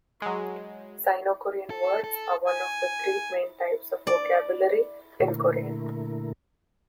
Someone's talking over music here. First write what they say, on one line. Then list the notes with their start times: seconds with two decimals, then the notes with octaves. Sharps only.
Sino-Korean words are one of the three main types of vocabulary in Korean.
0.22 F#3 G#3
1.70 A4
2.04 A4
2.47 G#5
4.07 D5
5.20 A#2 D3 A3 E4 A#4